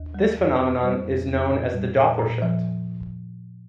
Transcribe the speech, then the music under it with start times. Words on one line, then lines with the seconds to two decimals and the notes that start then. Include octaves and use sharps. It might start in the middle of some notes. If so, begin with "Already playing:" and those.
This phenomenon is known as the Doppler shift.
Already playing: D#2
0.14 G3
0.37 F2
0.60 F2
0.83 G3 C5
1.05 F2
1.28 F2
1.51 A#2
1.74 G3
1.97 A#2
2.19 A#2
2.42 F3